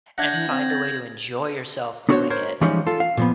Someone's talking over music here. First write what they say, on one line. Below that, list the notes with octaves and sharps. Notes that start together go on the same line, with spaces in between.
and find a way to enjoy yourself doing it
D4 E5 F#5 G6 G#6 A#6
E3 G6 F#7
C4
A6
B3 D4 F#4 A4 C5 C#5
A#4 C5 C#5
E3 F3 G3 G#3 C#4 D#4
F4 A4
F5
A#2 F3 B3